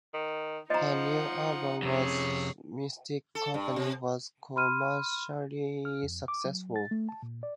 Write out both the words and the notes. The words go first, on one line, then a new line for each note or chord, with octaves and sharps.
Her new album was Mystic company was commercially successful.
D#3
F3 D#4 D#5 F#5 A#5
F2 C3 C#4 G#4
A4
G2
C3
B5 C6 F6 D#7
F6
F2
D6
F#3
A6
A3
A5
A#2
D5